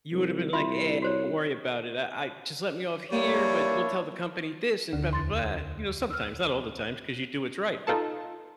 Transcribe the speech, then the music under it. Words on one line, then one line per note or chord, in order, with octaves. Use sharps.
You woulda been like, "Eh, don't worry about it. I I just let me off here, but we'll tell the company this and blah blah blah," you know, sometimes, not all the times, 'cause you do what's right, but,
C2
C2 F4 E5 C6
F#4 C5 C#5
G3 A#3 D4 E4 C#5
D2 D3
E2 C6 A6
E6 F6
D#4 F4 A4 A5